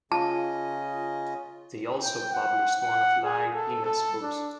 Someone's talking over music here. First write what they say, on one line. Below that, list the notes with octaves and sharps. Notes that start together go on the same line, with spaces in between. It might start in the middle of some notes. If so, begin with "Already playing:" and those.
They also published one of Larry Pina's books.
C#3 C#4 F4 D#5 A5
G5
F#5
F#5
G#4
A4
A4
D4